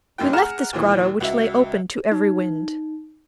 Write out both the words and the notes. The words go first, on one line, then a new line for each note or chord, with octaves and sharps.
We left this grotto which lay open to every wind.
F1 F#2 A#3 D#4 G5
G#4 F#5 A#5 F6 E7
D#2 A#2 E3
C#2 F#4 E5
D#4